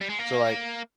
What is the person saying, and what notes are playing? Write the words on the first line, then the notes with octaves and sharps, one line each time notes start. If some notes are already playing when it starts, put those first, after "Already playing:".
So, like,
G3
G#3
A#3